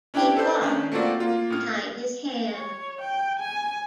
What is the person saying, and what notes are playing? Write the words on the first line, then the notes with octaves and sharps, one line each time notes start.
He coughed behind his hand.
C#4 D4 E4 G4 G5
A4 B4 C5 D5 G6
D#3 C#4 D4
A3 A#3 C4 F4 F#4 D5
A#3 F4
A2 F6
C#5
G5
G#5